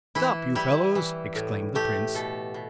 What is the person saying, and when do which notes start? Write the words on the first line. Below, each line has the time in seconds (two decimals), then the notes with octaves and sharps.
"Stop, you fellows!" exclaimed the prince.
0.15 E3 E4
0.55 G3 E4
0.95 E3
1.35 A2
1.75 A3 G4
2.15 B2 A4
2.54 B2